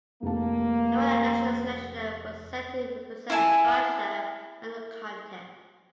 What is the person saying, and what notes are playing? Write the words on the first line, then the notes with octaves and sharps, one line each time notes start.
They won the national selection and were set to represent Russia at the contest.
F1 A#3 A5
E4 E5 G#5 A5